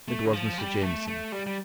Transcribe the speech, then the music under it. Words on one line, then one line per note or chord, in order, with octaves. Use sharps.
It was Mr. Jamieson.
A3
D3
F3
G3
A3
A3
G3
G3